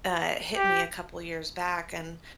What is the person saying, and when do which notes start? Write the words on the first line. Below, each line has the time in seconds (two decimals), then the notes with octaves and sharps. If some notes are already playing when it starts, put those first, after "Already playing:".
I uh, hit me a couple years back and
0.57 G4